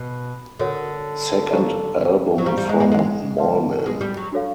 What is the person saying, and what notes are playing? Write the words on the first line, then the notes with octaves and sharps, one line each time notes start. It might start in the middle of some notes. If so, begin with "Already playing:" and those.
Second album from Mallman.
Already playing: B2
D3 F#4 A#4 C#5 F#5
C#5 F5 A#5 C#6
F#3
G3 C5 F5 A#5 C#6
G3
G#3
G#3
G#3
B4 D5 F#5 A5 C6
G#3
G3
F#3
D4 F#4 A4 C#5 F5